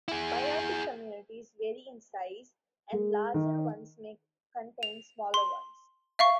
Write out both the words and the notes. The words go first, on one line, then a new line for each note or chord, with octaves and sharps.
Biotic communities vary in size, and larger ones may contain smaller ones.
E4 G#4
G#3
D#3
F7
C6
E5 F5 C#6